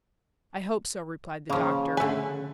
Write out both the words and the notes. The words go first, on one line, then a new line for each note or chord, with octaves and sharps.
"I hope so," replied the doctor.
C#3 F3 A#3
D3 A3 B4 G#5